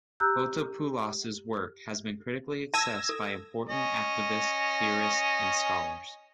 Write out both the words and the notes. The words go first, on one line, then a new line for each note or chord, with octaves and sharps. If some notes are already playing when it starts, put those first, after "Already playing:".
Fotopoulos' work has been critically assessed by important activists, theorists and scholars.
G4 A#5 E6 F#6 G6
A5 E6 G#6 A#6
A4
C#4 D#5